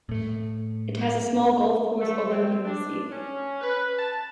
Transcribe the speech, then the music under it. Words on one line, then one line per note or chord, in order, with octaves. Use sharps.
It has a small golf course overlooking the sea.
A2 A3
A3
C4
D4
C#4
B4
A5